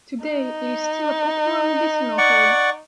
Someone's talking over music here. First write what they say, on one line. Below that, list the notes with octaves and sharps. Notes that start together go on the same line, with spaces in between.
Today it is still a popular medicinal herb.
D#4
D5 F#5 C#6